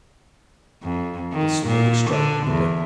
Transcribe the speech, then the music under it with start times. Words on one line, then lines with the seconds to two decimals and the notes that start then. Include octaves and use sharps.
The sooner we strike the better.
0.83 F2
1.33 D#3
1.67 A#2
2.11 D3
2.47 E2